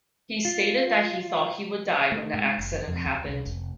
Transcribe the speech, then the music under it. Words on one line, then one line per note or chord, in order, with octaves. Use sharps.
He stated that he thought he would die when the accident happened.
F4
A3
G#2
F#1
F2
D2
C2
F1